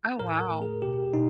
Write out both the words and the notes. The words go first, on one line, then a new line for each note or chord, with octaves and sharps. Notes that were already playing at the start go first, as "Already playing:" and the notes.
Oh wow.
A2 A#4
A#4
A3
G#4
B2 G4
B2 D#4